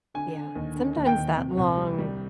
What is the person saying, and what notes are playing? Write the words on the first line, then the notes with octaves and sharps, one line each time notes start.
Yeah. Sometimes that long
D3 G#5
D3
D#2
D3
D#2
G5
D#2
C3
C2
G3
G3